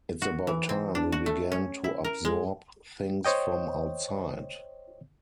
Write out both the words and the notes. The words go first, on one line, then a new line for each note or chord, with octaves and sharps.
It's about time we began to absorb things from outside.
F#4
E3
C4
D4
F#4
A3
C#4
E4
A#4
G#3
C5 C#5 D#5 G5